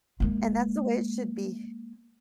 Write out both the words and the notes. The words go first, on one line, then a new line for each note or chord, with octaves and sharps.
And, that's the way it should be.
G#3 A#3